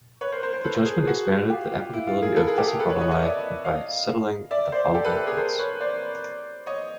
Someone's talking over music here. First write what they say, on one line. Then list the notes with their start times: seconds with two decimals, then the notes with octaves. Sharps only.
The judgement expanded the applicability of thesawalamai by settling the following points.
0.21 B4 C#5
0.32 A#4 C5
0.42 A#4 C5
0.53 A#4 C5
0.64 A4 B4
0.85 G#4 A#4
1.07 F#4 G#4
1.50 F4 G4
1.72 F4
1.93 E4
2.07 F4
2.22 G#4 A#4
2.36 A4 B4
2.47 G#4 A#4
2.58 G4 A4
2.68 G#4 A#4
2.79 A4 B4
2.89 B4 C#5
3.00 C#5 D#5
3.11 C#5 D#5
3.23 D5 E5
3.65 D#5 F5
4.51 D5 E5
4.72 C5 D5
4.94 G4 A4
5.05 A4 B4
5.15 A4 B4
5.26 G#4 A#4
5.37 A#4 C5
5.59 B4 C#5
5.80 C5 D5
6.66 C#5 D#5